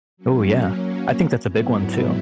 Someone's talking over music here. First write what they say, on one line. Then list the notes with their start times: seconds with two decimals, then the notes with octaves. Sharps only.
Ooh yeah. I think that's a big one too,
0.17 F#3 A#3 C#4
1.46 G#2 F#3 B3 E4